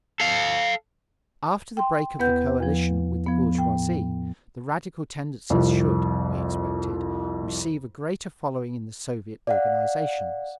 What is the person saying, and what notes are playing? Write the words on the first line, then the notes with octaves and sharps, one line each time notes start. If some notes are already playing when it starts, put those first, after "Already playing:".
After the break of the coalition with the bourgeoisie, the radical tendencies should, we expected, receive a greater following in the Soviet organizations.
A4 F5
G5 C6
E2 B3 B4 F#5 G6
E2 F3
F3 B3
A2 G5
C2 F2
D5 F5 F#5